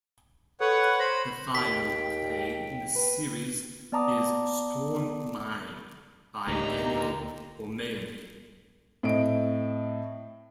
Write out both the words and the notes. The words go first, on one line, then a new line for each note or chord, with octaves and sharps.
The final play in the series is "Storm Mine" by Daniel O'Mahony.
A4 B4 C#5 F#5
C5 B5 A#6
D#2 G5 B6
B4
B3 D5 A5 A#5 D6 D#6
D2 A2 A#3 D#4 G4 A#5
A2 C4 D#5 D7